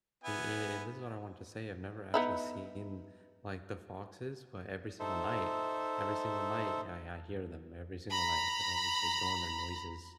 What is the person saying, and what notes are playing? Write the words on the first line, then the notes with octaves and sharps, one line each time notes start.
an an and this is what I wanted to say I've never actually seen like the foxes, but every single night, every single night, I I hear them every single night. They're always like doing their noises,
B3 E4 G#5
B3 D#4 E4
D#4 A4 C5 E5
A#5 B5